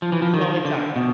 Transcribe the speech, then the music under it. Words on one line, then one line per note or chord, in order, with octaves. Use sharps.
No, exactly.
F3
E3
F3
D#3
D3
B2